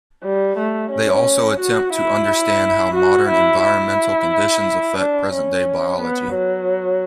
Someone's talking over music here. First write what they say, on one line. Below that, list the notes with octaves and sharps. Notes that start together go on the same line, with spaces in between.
They also attempt to understand how modern environmental conditions affect present-day biology.
G3
A3
C#4
F#4
E4
F#4
E4
E4
D4
C#4
B3
F#3